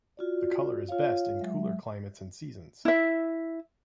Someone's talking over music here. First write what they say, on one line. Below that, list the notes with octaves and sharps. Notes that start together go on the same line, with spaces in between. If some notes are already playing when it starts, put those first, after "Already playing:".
The color is best in cooler climates and seasons.
F4 F#4 D5
F4 C#5 F5
F#3 G#3 E5
E4 E5